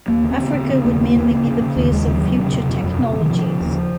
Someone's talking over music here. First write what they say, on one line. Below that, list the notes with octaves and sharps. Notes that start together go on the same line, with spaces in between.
Africa would mainly be the place of future technologies.
D#2 A#3
C#3
C4
C#3
C#3 C4
C#3 C4
D#2 A#3
D#2 A#3
C#3
C#3
C#3
C#3
D#2
D#2 G#3
C#3
F#3
C#3
C3
C3
F2
F2
C3
C3
D#3
C#3 F3
C#3
D#2